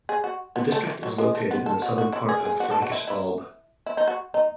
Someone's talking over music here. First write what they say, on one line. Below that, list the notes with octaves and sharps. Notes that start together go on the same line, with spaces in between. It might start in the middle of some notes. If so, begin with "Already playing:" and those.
The district is located in the southern part of the Frankish Alb.
G#4
F#4
B3
A3
E3
F#3
G#3
A3
B3
A4
F#4
F#4
E4
G#4
G#4
F#4
A4
F#4
E4
E4
E4
D#4
F#4
D#4